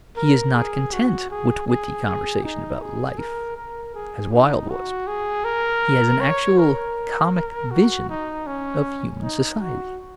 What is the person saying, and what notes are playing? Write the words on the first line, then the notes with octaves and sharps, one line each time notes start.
He is not content with witty conversation about life, as Wilde was: he has an actual comic vision of human society.
A#4
G#4
F#4
G#4
G#4
G#4
D#4
G#4
A#4
A#4
G#4
D#4
F#4
G#4
A#4
C#5
A#4
F#4
D#4
C#4
D#4
F#4